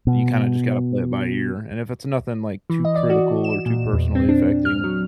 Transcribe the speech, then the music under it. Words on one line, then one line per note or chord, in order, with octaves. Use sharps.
you kinda just gotta play it by ear, and if it's nothing, like, too critical or too personally affecting,
B2
E3
D#5
D5
F#4
E7
A#2
E2
C4
D4
F6
F#3